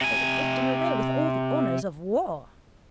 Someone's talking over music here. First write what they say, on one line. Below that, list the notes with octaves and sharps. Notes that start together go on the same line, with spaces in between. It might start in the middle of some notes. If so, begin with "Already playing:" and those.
They were drifting away with all the honours of war.
C3 G#5